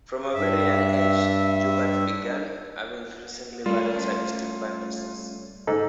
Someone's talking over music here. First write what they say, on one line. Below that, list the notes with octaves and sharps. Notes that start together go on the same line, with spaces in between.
From a very young age, Joubert began having increasingly violent sadistic fantasies.
G2 E5
G3 A3 C#4 F4
G#2 A4